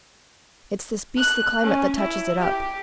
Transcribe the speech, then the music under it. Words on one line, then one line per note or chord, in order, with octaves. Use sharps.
It's this beastly climate that touches it up.
F#6
C#4
E4
G4